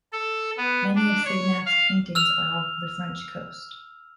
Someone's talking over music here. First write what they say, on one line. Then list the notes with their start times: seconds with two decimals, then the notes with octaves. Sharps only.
Many of Signac's paintings are of the French coast.
0.13 A4
0.58 B3
0.95 D4
1.25 C#5
1.66 F5
2.15 E6 F6 F7